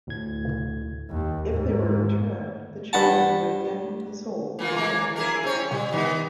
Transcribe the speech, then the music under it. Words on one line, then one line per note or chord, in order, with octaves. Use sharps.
If they were returned, the children would again be sold for the same purposes.
D2 A2 G#6
D#2
G#2
G2 B4 F#5 A5
E3 A#3 F4
E3 G#3 A#3
E4 G#4 A#4
C4 C#4 C#5
G3
D#3 B3